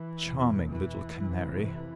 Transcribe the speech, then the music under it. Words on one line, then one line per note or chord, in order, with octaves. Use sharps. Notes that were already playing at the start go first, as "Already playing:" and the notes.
Charming little Canary!
Already playing: E3
E2 B2
E3
F2 C3
E3